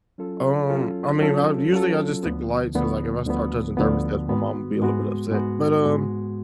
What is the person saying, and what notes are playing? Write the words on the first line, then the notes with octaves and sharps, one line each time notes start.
Um, I mean, I usually I just stick to lights 'cause, like, if I start touching thermostats, my mom will be a little bit upset, but, um
F#3 C#4 F4 A4
F#3 C#4 F4 A4
F#3 C#4 F4 A4
F#3 C#4 F4 A4
D2 D3 F3 B3
D2 D3 F3 B3
D2 D3 F3 B3
D2 D3 F3 B3
G#2 G#3 B3 F#4
G#2 G#3 B3 F#4
G#2 G#3 B3 F#4
G#2 G#3 B3 F#4